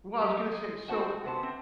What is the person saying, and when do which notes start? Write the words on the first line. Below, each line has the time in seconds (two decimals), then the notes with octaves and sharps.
Well, I was gonna say so
0.20 G3 G4 A#5
0.52 G#3
0.88 D#4 F#4 C5 F#5 A5
1.24 C3 B3 C5 A5
1.43 C4